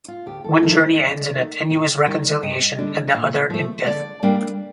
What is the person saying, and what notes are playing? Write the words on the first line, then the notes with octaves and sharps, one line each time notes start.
One journey ends in a tenuous reconciliation, and the other in death.
F4
D2 G4
A4
A4
D3 A3 D#4 A#4
C5
D#5
F2 D5
D#3 A3
C3
D#3 G3
G2 D#5
D3 G3 D4
A#2
F3 A3
D3 D5
G3 A#3 D4